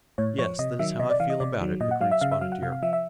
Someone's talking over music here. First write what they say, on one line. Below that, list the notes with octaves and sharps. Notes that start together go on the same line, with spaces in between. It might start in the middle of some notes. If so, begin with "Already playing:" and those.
"Yes, that is how I feel about it," agreed Spotted Deer.
A2 C#5
F3 C#5
C3 D#5
D#3 F#3 E5
C3 D#5
D5
E3 F5
D#5
C3 D5
D#3 F#3
A#2 D#5
F#5
F#3 F5
E5
C#3 F5
E5
F#3 F5
F#5
C3 F5
F5
F3 E5
E5